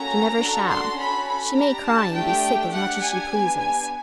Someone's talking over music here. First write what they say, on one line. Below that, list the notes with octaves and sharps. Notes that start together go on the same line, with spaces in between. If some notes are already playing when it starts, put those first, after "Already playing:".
She never shall!--she may cry, and be sick as much as she pleases!'
Already playing: A#3 C#4 F#4 A4 A#5
D4 F#4 A4
C6
C#4 F#4 A4 B5
B5
D4 G4 A#5
A5
A3 D4 G4 G5
D4 G4 F#5
G#5
B3 D4 G4
G#5